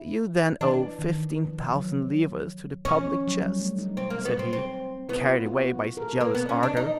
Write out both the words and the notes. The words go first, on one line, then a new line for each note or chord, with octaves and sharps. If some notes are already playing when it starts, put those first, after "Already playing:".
"You then owe fifteen thousand livres to the public chest," said he, carried away by his jealous ardor.
Already playing: E4
E3 D4
D#3
E3
F3
F#3
C#4
F3
F#3
G3
A3
D#4
C4
A#3
B3
C4
C4
B3 E4
F4
F#4
F#4
A#4
A4
A#3 B4
B3
C#4
D4
D#4